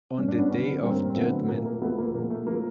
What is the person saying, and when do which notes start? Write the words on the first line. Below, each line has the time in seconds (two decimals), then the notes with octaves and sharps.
On the Day of Judgment.
0.18 G2 C#4
0.28 D4
0.39 B3 C#4
0.50 D3 F#3 B3 C#4
0.83 G2 A#3 C4
1.09 C4
1.16 D3 F#3 A3 B3
1.48 A#2 A#3
1.61 A3
1.66 A#3
1.81 F3 G#3 A3 B3
1.98 A#3
2.14 A#2 A#3
2.30 A3
2.47 F3 G#3 A#3